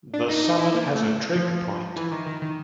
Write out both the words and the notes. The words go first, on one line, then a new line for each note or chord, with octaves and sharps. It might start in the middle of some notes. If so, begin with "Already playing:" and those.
The summit has a trig point.
D4
D#4
D#4
E4
A#3
A3
F3
E3
D#3
D#3
D#3